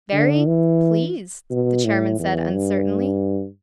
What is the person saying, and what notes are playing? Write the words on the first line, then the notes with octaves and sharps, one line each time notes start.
"Very ... pleased," the chairman said uncertainly.
D3
E3
B2
A2
E2
G2